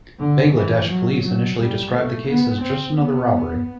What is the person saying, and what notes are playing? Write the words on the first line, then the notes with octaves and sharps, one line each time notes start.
Bangladesh police initially described the case as "just another robbery".
D3
E3
F#3
F#3
G3
A3
B3
C4
B3